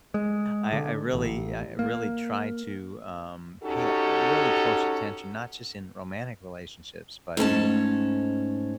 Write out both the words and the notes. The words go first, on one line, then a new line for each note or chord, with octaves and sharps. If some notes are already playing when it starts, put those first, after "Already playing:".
I I really I really try to, um, pay, uh, really close attention, not just in romantic relationships, but in,
G#3
D3
A1
A#3
C#4 D#4 F#4 G4 A4
G#2 A3 C#4 A5